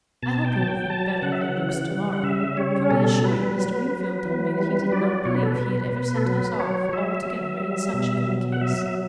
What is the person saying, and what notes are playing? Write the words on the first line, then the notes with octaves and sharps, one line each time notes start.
I hope you will think better of their looks to-morrow; for I assure you Mr. Wingfield told me that he did not believe he had ever sent us off, altogether, in such good case.
B2 A5
G5
F#3 A5
G5
F#3 A5
C#3 F#5
E5
F#5
E3
G3
F#5
C#3 E5
G3 C#5
B2 A4
G3 B4
F#3
F#3
E3
G3
F#3 D5
B2 C#5
B4
A4
B4
B2
B2
A4
F#3 B4
F#3 C#5
F#3 E5
F#3
G3
B2
F#3
F#5
F#3 E5
E5